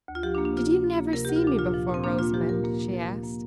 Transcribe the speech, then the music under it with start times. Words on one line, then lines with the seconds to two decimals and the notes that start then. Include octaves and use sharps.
"Did you never see me before, Rosamond?" she asked.
0.08 D2
0.15 F4
0.23 F3 G4
0.35 D4
0.38 A#3
0.45 D4
0.53 C3 F4
0.69 D2
0.84 F3
0.98 A#3
1.13 C3 A#4
1.25 D2 G4
1.36 F4
1.44 F3 D4
1.59 A#2 F4
1.74 F3
1.89 A#2
1.94 C4
2.04 A#3 D4
2.18 A#2 F4
2.34 F3 G4
2.49 A#2 A#4
2.64 A#3
2.79 A#2
2.94 F3
3.09 A#2
3.24 A#3